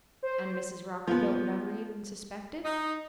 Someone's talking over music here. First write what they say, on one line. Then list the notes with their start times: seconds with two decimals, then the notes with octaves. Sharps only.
"And Mrs. Rockerbilt never even suspected?"
0.23 C5
1.07 F3 B3
2.64 D#4